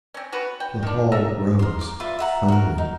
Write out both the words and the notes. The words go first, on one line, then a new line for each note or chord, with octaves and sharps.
The hall rose, thundering.
C4 C#4
B3 F#4 B4
G5
D#3 D4
A4 A#4 D#5 E5
A#4 C6
D6
F4 B4 D5 E5
E5 F#5 A#5
F#4 A#4
D#4